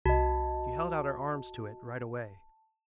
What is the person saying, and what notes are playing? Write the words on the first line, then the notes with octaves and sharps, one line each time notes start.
She held out her arms to it right away.
C2 F#4 D#5 A5